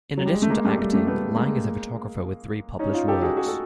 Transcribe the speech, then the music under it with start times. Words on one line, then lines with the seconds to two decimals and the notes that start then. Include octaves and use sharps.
In addition to acting, Lange is a photographer with three published works.
0.17 F#3
0.25 G3
0.34 G#3
0.42 A3
0.50 G#3 A#3
0.65 G3 A3
0.78 G3 A3
0.93 G3 A3
1.07 A3 B3
1.35 G#3 A#3
2.79 C#4 D#4
2.93 D#4 F4
3.08 G4 A4
3.22 F#4 G#4
3.37 F#4 G#4
3.48 A4